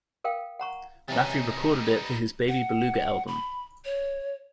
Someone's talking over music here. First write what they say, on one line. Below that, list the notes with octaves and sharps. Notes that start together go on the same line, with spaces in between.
Raffi recorded it for his "Baby Beluga" album.
A4 A#4 F5 G5
F#5 A#5 C#6
C3 E3 G3 C#4 D#4
B4
F#5
B5
C#5